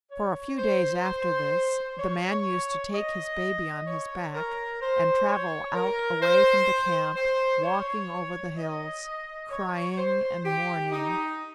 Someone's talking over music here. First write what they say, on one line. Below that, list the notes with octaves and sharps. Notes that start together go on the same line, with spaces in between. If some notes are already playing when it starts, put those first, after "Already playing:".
For a few days after this, the man used to take his baby on his back and travel out away from the camp, walking over the hills, crying and mourning.
C#5
C5
C5
C#5
D#5
C#5
A#4
C5
C#5
A#4
C5
C5
C#5
D#5
C#5
C5
G4
D#4